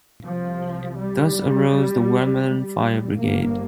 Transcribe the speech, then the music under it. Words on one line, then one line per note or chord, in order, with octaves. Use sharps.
Thus arose the Wormeln fire brigade.
C2 C3 F3
G3
G3
G1 G2 A#3